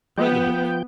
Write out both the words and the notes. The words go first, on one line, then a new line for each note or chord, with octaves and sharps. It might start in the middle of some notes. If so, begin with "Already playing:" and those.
Try the book.
F3 B3 G5